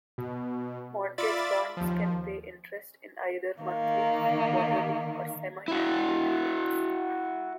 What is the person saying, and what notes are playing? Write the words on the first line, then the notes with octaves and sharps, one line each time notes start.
Mortgage bonds can pay interest in either monthly, quarterly or semiannual periods.
B2
F4 D5 E5 B5 A6
D#2 F3
D#3 A#3
E4 F#4